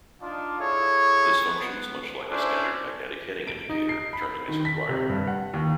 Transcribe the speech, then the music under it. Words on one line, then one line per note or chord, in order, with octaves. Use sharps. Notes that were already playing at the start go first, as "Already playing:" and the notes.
This functions much like a standard magnetic heading indicator, turning as required.
D4 D#4 F4
E4 G#4 A4 C#5
B3
C#4 D4 E4 C5
D7
D#4
C7
B5
D#3
B6
C3
G2
F#5
D#2